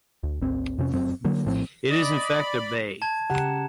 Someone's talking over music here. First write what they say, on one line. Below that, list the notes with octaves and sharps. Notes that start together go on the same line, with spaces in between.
It is in fact a'bay'.
D2
G#1 D2 C4
F2 C3 C#4
F1 F#2 C4
D3 F#3 A#3
A#1 A2 F3 C4
D5 D#5 B5
A5 G#6
C#3 G4 F#5 A#5 E7